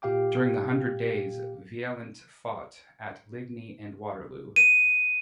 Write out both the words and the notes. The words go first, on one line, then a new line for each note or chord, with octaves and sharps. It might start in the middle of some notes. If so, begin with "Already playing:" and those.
During the Hundred Days Vaillant fought at Ligny and Waterloo.
A#2 G4 F5 G5 D6
D#7